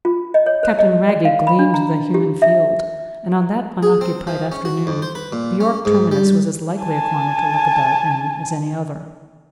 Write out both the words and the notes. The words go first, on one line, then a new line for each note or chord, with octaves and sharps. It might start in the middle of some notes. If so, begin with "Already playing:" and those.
Captain Wragge gleaned the human field, and on that unoccupied afternoon the York terminus was as likely a corner to look about in as any other.
F4
D#5
C#5
C5
D#5
D5
F5
B5
D4
A#5
G4
E5
G#4
C4
F3
C#4
F#4
F2
C5
B4
A#2
C#4
G#2
G3
G#5 A5